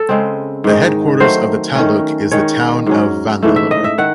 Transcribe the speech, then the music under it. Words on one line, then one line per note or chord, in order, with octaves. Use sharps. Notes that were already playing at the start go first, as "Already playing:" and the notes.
The headquarters of the taluk is the town of Vandalur.
Already playing: A4
C#3 G#3 C4
G#2 D#3 G#3
D#3 F#3 A3 C5
D#3 A3 C#4
D#3 G#3 C#4 C#5
G#2 F#3 C#4
G#2 E3 A3
E5
D#5
E5
D#3 F#5